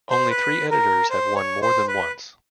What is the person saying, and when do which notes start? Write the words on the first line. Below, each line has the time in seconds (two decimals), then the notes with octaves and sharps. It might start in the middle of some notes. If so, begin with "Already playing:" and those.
Only three editors have won more than once.
0.11 C5
0.30 B4
0.71 A#4
1.10 C5
1.35 C#5
1.62 C5
1.88 B4